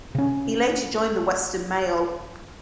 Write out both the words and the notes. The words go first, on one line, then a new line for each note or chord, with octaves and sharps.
He later joined the "Western Mail".
C3 C#4